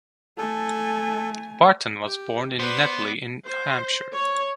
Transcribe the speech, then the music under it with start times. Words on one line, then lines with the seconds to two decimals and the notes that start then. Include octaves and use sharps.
Barton was born in Netley in Hampshire.
0.38 A3 A4 G#5
2.07 G4
2.59 B3 B4 C5 D5
3.46 C5
4.13 C#5